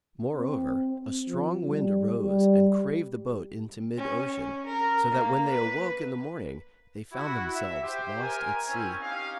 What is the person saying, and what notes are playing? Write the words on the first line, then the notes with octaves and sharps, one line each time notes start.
Moreover a strong wind arose and crave the boat into mid-ocean, so that when they awoke in the morning, they found themselves lost at sea.
C4
F3
G3
G3
C#4
C#4
A#4
A#3
B4
E4 F#4
E5
G4 C5
A#4 G#5
C4 C#4 E4 C#5 G#5
C#4 D#4 G4 F5